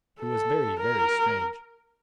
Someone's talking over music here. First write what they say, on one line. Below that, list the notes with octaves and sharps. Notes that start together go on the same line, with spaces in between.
It was very, very strange.
A4
A#4